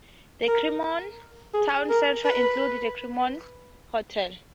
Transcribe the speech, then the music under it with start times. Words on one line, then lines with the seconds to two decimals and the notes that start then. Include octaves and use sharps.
The Cremorne Town Centre includes the Cremorne Hotel.
0.48 A#4
1.54 G#4
1.89 A#4
2.25 B4